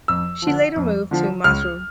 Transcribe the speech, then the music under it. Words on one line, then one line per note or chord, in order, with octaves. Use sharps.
She later moved to Maizuru.
F2 E6
D3 F3
F2
D3 F3
C#2 F6